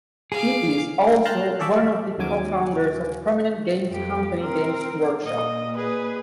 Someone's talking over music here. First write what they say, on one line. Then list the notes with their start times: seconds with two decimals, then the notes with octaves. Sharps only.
He is also one of the co-founders of prominent games company Games Workshop.
0.32 G#4 F5 D6
1.25 F5 A5 A#5 C6 F#6 G6
1.59 G#4 A4 C#5 D5 E5 A5
2.18 D#2 C#3 F#3 G#5 D6
3.89 F2 G4
4.39 C4 A#4
5.26 A#2 D#5
5.77 G#4 B4